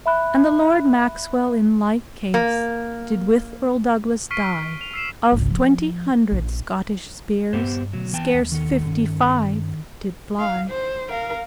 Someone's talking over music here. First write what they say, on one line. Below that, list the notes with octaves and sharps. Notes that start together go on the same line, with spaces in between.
And the Lord Maxwell in like case Did with Erle Douglas dye; Of twenty hundred Scottish speres, Scarce fifty-five did flye.
E5 B5 F#6
A#3
C#6 F6 B6 C7 D7 D#7
B6
F7
E6 C7 E7
G#1 C#2
F3
A#1
G2 B3 G4 C5
B2 D3 F#3 A3
E3 B3 G5 A5
D#2 B3
D#3 A4
G2 C#4
F5
C5
A#4 F5